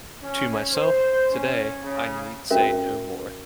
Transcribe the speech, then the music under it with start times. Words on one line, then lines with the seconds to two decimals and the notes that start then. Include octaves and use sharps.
To myself - today - I need say no more.
0.23 C#4
0.74 C5
1.31 C#4
1.83 C#3
2.51 C#4 F#4 A#4 E5